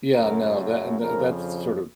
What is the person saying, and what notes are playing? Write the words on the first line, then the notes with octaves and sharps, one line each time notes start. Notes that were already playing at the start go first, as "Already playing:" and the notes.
Yeah, no, tha and tha that's sort of
F#2 C#3 F#3 A3 A#4
F2 C#3 F3 A#4